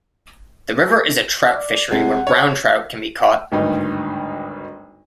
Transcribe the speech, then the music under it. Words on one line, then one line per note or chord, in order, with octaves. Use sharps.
The river is a trout fishery where brown trout can be caught.
D5
C3 G#3 F#5
C#5
G#1 D2 G2 D#4